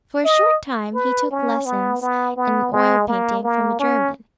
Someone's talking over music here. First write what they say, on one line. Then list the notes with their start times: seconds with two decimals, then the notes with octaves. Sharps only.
For a short time he took lessons in oil painting from a German.
0.24 D#5
0.95 B4
1.31 C#4
1.66 B3
2.02 B3
2.37 B3
2.72 G#3
3.08 A#3
3.43 A#3
3.80 C#4